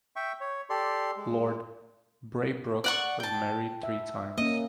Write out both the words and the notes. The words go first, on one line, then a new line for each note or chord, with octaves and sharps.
Lord Braybrooke was married three times.
E5 G5 C#6
C#5
G4 A4 D5 C6
G#3
D5 F#5 C#6
G5 A5
E5
A#3 C#4 D#5